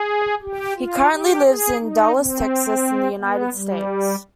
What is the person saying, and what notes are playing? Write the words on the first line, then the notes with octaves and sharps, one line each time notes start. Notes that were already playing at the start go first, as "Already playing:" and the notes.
He currently lives in Dallas, Texas, in the United States.
Already playing: G#4
G4
F4
G4
G#4
D#4
C4
B3
G3